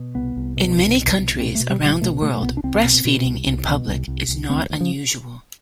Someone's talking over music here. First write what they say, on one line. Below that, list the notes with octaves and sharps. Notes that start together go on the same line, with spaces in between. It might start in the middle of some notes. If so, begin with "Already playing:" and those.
In many countries around the world, breastfeeding in public is not unusual.
Already playing: B2
C2 B3
C2
B2
C2
B2
C2
B2 C4
A3
B2
G3
C2 G3
B2 A3
B2 A3
A3
C2 B3
D4
C2 C4
B2
B2
C2
C2
B2
C2
C2
C2
D2 C4
D2
F3